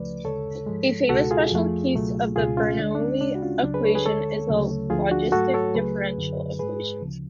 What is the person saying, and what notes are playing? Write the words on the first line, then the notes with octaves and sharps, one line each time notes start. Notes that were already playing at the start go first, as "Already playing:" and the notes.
A famous special case of the Bernoulli equation is the logistic differential equation.
Already playing: C#2 C#3 F3 A3 B4 D5
D2 C#3 G#3 A4 C#5
G#2 F3 G#3
C#2 B2 G#3 F#4 A4
F4 G#4
F2 F3 A3
C#2 B2 F#3 A3
C#2 B2 G#3 F4 G#4
C#4 F4
D2 D3 G#3 D4
D4
C#4
D2 C#3 G#3 D4
F#4
C#4 F4
C#2 C#3 F#3 D4
G#4 B4
A4 C#5
G#4 B4
D2 D3 G#3 A4 C#5
D2 C#3 F#3 A3
D2 D3 F3 F4 G#4
D4 F#4
G#2 F#3 A3 F#4 A4
A4 C#5
C#2 C#3 F#3 A3 G#4 B4
F#2 D3 F#3
G#2 G#3 G#4 B4
D2 C#3 F3